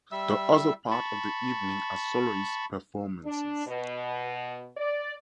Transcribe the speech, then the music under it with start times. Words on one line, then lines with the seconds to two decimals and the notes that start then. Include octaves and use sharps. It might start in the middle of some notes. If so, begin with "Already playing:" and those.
The other part of the evening are soloist performances.
0.12 G3 E5 E6
0.91 A5 B5 C#6
3.25 D4
3.67 B2
4.77 D5